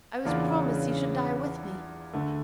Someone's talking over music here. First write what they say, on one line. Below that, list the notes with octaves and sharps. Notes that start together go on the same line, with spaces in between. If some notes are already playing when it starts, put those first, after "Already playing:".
I was promised he should die with me.
E2 C#3 E3 A#3 D4 F4
D2 D3 A3